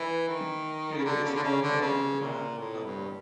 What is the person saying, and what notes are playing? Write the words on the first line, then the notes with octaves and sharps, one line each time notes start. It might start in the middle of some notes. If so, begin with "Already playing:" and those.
It is also a prime number.
Already playing: E3
D#3
C#3
D3
C#3
D3
C#3
D3
C#3
A#2
A2
G2